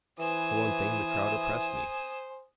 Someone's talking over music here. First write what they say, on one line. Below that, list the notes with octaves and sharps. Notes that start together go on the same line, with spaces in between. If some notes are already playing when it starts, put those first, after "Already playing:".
For one thing, the crowd oppressed me.
E3 C5 G#5 D#6 E7